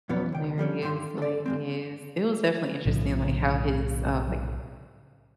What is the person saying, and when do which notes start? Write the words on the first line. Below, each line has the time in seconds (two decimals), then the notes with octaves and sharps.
hilarious, like, yes, it was definitely interesting, like, how his, uh, like
0.09 F2 B2 B3 C#4 B4 D5
0.32 C#2 G5
0.58 F3 G3 A#3 C#4
0.82 G2 D3 D#3 A4 G5 C6
1.18 A4 D5
1.46 G2 G#3 C4
2.85 B1 A2 C#3 F3